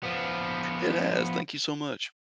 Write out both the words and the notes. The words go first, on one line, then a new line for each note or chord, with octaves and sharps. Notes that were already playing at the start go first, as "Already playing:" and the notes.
It has, thank you so much.
F3 B3